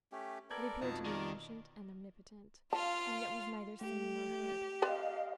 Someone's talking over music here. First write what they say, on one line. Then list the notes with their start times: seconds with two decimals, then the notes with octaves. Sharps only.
It appeared to be omniscient and omnipotent, and yet was neither seen nor heard.
0.12 A3 C#4 G4
0.50 B3 A4 A#4 D5 G#6 F#7
0.81 F2 B2 D#4 A5 A#5
1.05 D#3 A#4 D5
2.73 F4 F5 A5
3.81 A3 G4
4.82 C4 B4 D5 D#5 F5